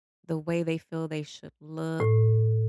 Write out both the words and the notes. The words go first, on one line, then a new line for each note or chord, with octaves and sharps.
the way they feel they should look,
A2